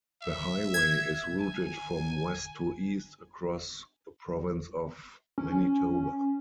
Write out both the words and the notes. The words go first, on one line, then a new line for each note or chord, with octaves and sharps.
The highway is routed from west to east across the province of Manitoba.
E5
G#6
G#5
C#4